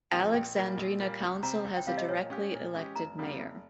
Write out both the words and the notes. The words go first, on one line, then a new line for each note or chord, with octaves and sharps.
Alexandrina Council has a directly elected mayor.
A#2 F3 G#3 C4 G5
A#1 G5
A#2 G3 A#3
A#1
A#2 G3 A#3
C#2
C3 G3 C4 G4 A#5
C#2
G5
C3 G3 C4 G4 F5
D#5
A#2 C#5
G#3 C#4 G4
A#2
G#3 C#4 G4
F1 A#5
F2 C#3 G3 A#3
F1